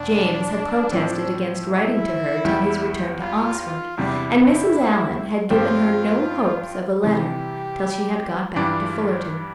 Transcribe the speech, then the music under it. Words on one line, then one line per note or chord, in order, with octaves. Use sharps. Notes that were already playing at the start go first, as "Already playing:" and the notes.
James had protested against writing to her till his return to Oxford; and Mrs. Allen had given her no hopes of a letter till she had got back to Fullerton.
Already playing: E1 E2 D4
A2 F3 C4
E4
E2 E3 G3
F4
F4
E2 C3 G3 D4 E4
G2 F3 C4 F4 G4
C3 E3 G3 G4
G2 E3 G3 D4 F4